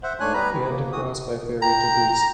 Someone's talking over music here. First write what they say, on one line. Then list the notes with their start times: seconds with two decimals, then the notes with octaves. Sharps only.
We had to cross by ferry to Greece.
0.03 C5 E5 F#5
0.20 G#2 A3 D4 C#5 G#5 F#6
0.33 G3 B3 B4 A#5 B5
0.52 D#3
0.68 A#3
0.92 F2 E3 F#4 D#6
1.62 G5 A#5